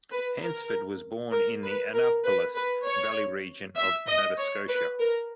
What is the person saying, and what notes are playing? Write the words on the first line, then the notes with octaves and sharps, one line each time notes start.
Hansford was born in the Annapolis Valley region of Nova Scotia.
B4
A#4
A#4
B4
A#4
B4
B4
C#5
E5
D#5
C#5
B4
A#4